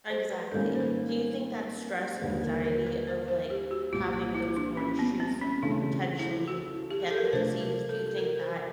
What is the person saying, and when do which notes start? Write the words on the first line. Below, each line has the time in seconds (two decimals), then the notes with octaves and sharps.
Exactly. Do you think that stress and anxiety of, like, having those orange trees potentially get the disease, do you think that
0.10 C5
0.30 B4
0.52 G#2 D#3 G3 A#3 C#4 A4
0.75 C5
0.80 B4
1.09 A#4
2.15 C5
2.22 D#2 D3 G3 B4
2.44 A#4
2.65 A#4
2.87 B4
3.07 C5
3.28 C5
3.50 G4
3.71 F#4
3.92 C2 A#2 G3 F4
4.13 F4
4.35 E4
4.57 D4
4.77 C#4
4.99 B3
5.20 C4
5.41 C#4
5.63 C#3 E3 A3 D4
6.19 E4
6.48 F#4
6.91 G4
7.03 G#4
7.11 A4
7.18 A#4
7.25 B4
7.33 C3 F3 A3 D4 C5
7.61 A#4
7.89 A4
8.07 A4
8.18 A#4
8.40 C5